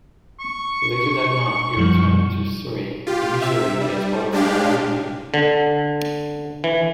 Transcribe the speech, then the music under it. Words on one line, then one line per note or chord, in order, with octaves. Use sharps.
Later that month, he returned to Surrey, initially as part of a loan deal.
C#6
F#2 F3 G3
F4 G4
C3 E5
G3
G#3 D4 G4 F5
D3
E3